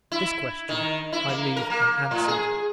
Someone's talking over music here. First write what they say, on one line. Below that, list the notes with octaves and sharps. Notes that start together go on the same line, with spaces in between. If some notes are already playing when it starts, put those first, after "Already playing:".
This question I leave unanswered.
E4
D#3
E4
A#3
A#4
A#3
A2
G#4